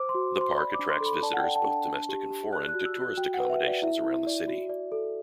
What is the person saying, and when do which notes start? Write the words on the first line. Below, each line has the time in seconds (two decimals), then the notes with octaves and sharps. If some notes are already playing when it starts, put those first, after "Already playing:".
The park attracts visitors both domestic and foreign to tourist accommodations around the city.
Already playing: C5 D6
0.09 C6
0.15 F#4
0.36 C5 C6
0.58 D5 B5
0.74 D6
0.79 D4
0.90 C6
1.00 A4
1.06 B5
1.23 D5 A5
1.34 F#5
1.39 G5
1.44 D5
1.56 A5
1.66 D4
1.71 A5
1.87 D4
2.09 G4
2.31 G4
2.53 D5 F#6
2.69 F#6
2.74 F#4
2.85 E6
2.97 F#4
3.02 F#6
3.17 F#4 G5
3.34 F#5
3.40 B4
3.50 E5
3.62 F#4
3.67 D5
3.82 E4 E5
4.04 E4
4.27 D5
4.48 F#4
4.69 D5
4.92 A4